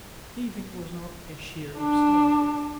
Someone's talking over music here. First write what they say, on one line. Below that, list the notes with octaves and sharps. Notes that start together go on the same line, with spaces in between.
Thieving was not a sheer absurdity.
D4